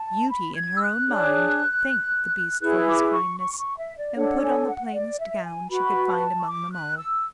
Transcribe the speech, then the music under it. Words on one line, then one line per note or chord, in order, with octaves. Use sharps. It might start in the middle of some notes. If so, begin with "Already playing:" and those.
Beauty, in her own mind, thanked the beast for his kindness, and put on the plainest gown she could find among them all.
Already playing: A5
B5
G#6
E6
F#6
D4 G#4 C#5
E4 G#4 B4 F#6
D6
C#6
C#6
C#6
E5
D5
D4 A4 C#5 F#5
G#5
F#5
D5
E5
G#5
F#4 B4 B5
A5
C#6
D6
F#6
E6